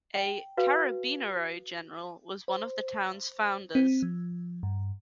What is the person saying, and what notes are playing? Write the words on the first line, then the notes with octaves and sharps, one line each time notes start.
A "Carabinero" general was one of the town's founders.
G5
F#4 B4 F5
C5
C4
F3
G2